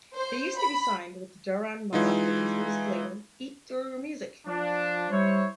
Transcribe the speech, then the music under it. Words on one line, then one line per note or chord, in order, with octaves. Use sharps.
They used to be signed with Daron Malakian's music label EatUrMusic.
C5
B5
E3 G#3 D#4 F4
F3 D4
G3 E4 C5 C#5